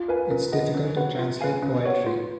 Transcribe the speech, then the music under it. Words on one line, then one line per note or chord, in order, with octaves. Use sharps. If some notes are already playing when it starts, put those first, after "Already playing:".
It's difficult to translate poetry.
Already playing: F4
A#4 B4 F5 G#5
C#4 A#4
G#4 D#5 F#5
C#4
F#4 B4 F#5
F4
B4 F5 G#5
C#4 B4
F#4 C#5 F#5
F4